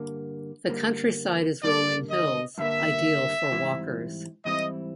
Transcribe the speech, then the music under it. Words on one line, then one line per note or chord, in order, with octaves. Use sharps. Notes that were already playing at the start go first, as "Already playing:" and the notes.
The countryside is rolling hills ideal for walkers.
Already playing: G2 D3 G3 A#3
G2 D3 G3 A#3
G2 D3 G3 A#3 D5
D#5
G2 D3 G3 A#3 E5
G#2 E3 G3 C4 E4
G#2 E3 G3 C4 E4 D#5